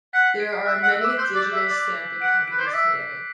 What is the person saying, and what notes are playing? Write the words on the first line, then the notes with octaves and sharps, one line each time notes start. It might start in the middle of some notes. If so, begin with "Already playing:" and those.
There are many digital stamping companies today.
F#5 B6
C7
D7
C7
E5 F#6
E6
F#5
E6
E5
D6
C5 E6
D5 F#6
G6
E5
B6
D5
F#5 D7
B4 D7
C5 C7
D5
E5 B6